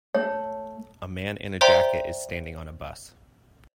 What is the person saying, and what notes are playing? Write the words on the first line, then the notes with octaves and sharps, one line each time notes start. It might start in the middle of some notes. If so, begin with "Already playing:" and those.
A man in a jacket is standing on a bus.
A3 C#5
C5 D5 E5 G5 A#5 C6